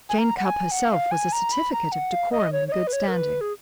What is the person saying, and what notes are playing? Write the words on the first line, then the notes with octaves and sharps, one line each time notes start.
Jane Cupp herself was a certificate of decorum and good standing.
G#5
A#5
F#5
G#5
F#5
F5
G#5
A#5
B5
A#5
F#5
F5
D#5
C#5
C#5
D#5
B4
C#5
A#4
B4
G#4